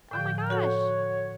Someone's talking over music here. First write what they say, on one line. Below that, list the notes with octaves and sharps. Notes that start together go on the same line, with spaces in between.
Oh my gosh!
A2 D3 F3 G5
F#4 A4 C#5 F#5